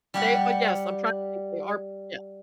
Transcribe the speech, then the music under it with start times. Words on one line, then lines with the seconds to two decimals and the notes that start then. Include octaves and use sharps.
They uh, yes, I'm trying to think they are p yeah.
0.14 G3 G4 F#5